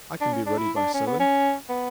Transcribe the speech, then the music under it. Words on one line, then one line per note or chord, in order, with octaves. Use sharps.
I can be ready by seven.
D4
C#4
D4
E4
D4
C#4
B3
C#4
B3